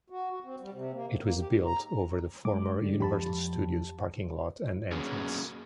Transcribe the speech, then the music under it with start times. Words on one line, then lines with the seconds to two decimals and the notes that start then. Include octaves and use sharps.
It was built over the former Universal Studios parking lot and entrance.
0.10 F#4
0.30 F#4
0.44 C4
0.61 G3
0.73 C3
0.92 A#3
1.07 D#3
1.22 A#3
1.39 G4
1.52 G#2
1.65 A#5
2.45 G#3 D6
2.82 D3 G3
3.00 F2 G4 A5 B5
4.92 F#3 A#3 B3 C#4 G#4